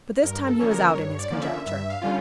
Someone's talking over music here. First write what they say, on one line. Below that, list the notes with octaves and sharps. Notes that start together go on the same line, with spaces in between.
But this time he was out in his conjecture.
G2 A#4
A4
D3 F3 A#3 C#4 C#5
A#4
G2 C#5
D5
D3 F3 A#3 C#4
E5
G2 E5
F5
D3 G3 C#4 F4